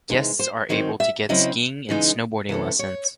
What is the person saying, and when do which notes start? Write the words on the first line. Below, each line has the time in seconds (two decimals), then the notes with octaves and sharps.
Guests are able to get skiing and snowboarding lessons.
0.09 C3 E3 G#3 D#4
0.39 C5
0.69 D#3 F#3 C4 D#4 D#5
1.00 E5
1.29 C#3 F#3 C4 E4 D#5
1.89 C#3 E3 G#3 D#4
2.49 C3 E3 A3 C#4
2.79 C#5